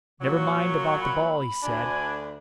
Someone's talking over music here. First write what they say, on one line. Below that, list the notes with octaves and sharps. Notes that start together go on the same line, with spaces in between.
"Never mind about the ball," he said.
A#2 F#3 C#6
B5
D2 D4 G#5